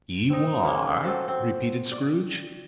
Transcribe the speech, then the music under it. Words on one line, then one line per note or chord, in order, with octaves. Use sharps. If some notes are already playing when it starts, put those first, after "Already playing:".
"You are?" repeated Scrooge.
C4 D#4
G#3 A#3 C#4
C4 F4 F#4 A4
C4
D5